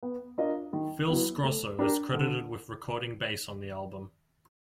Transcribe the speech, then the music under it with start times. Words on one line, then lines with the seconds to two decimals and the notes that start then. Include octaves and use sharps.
Phil Sgrosso is credited with recording bass on the album.
0.03 B3
0.38 D4 F4 A#4 D#5
0.73 D#3
1.08 F#3 B3 E4
1.44 A3
1.79 D4 G4 A#4
2.14 D3